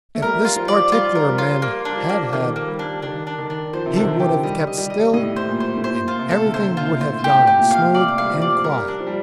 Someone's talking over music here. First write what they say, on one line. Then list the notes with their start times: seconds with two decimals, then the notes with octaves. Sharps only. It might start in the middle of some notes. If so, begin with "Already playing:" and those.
If this particular man had had, he would have kept still, and everything would have gone on smooth and quiet.
0.15 A3
0.22 G3 A#4
0.45 F4
0.56 F3
0.68 D5
0.92 G3 F4
1.15 A#4
1.23 F3
1.27 G3
1.38 F4
1.62 A#3
1.85 G3 D4
1.97 F3
2.09 A#3
2.33 D#3 A#3
2.56 A#3
2.67 G3
2.79 D4
3.02 D#3 D4
3.27 D4
3.38 D#3
3.50 D4
3.73 F3 C5
3.86 C3
3.93 D3
3.96 D#3 D4
4.08 F3
4.20 G4
4.43 G3 D#5
4.67 D#5
4.78 G3
4.90 D#5
5.14 A2 D#5
5.36 C5
5.49 A#2
5.60 C5
5.77 A2
5.84 A#2 C5
6.08 F4
6.19 C3
6.31 A4
6.45 D3
6.54 C3 C5
6.73 C3
6.77 A#2 F4
7.00 A2 C5
7.24 A2 G4
7.47 C3 G4
7.59 A#2
7.71 F5
7.94 C3 D5
8.18 G3 F5
8.30 F3
8.42 D5
8.64 G3 A#4
8.88 D4
9.00 F3
9.07 G3